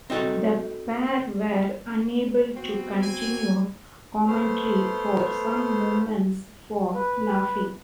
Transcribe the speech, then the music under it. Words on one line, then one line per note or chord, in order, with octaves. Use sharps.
The pair were unable to continue commentary for some moments for laughing.
C4 D#4 F#4 A4 C#5
B3 C4 F#4
G#5
A3 B3 C5 C6 F6
B4